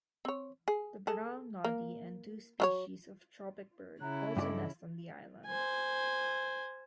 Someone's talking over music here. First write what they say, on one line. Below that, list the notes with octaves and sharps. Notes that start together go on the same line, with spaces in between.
The brown noddy and two species of tropicbird also nest on the island.
C4 C#5
G#4
G#4 A4
A#3
F#3 F4 C#5
C#3 C#4 E4 F#5 A#5 F#6
G2 G4 A4 D5 D#5
C5 G#5